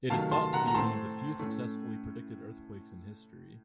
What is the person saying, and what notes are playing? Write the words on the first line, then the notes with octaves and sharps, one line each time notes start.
It is thought to be one of the few successfully predicted earthquakes in history.
C3 D#3 F#3 A3 F5 A5
A5 C6
F#5 A#5
A#5
A2 A3 C4 A5 C6
A2 A3 C#4